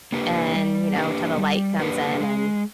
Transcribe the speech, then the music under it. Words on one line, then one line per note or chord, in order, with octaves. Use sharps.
and, you know, till the light comes in and
A#3 D4 G4 B4
G3
A#3 D4 G4 B4
G3
A#3 D4 G4 B4
G#3